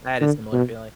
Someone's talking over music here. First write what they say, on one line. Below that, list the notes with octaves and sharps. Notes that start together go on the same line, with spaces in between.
I had a similar feeling.
D3
B2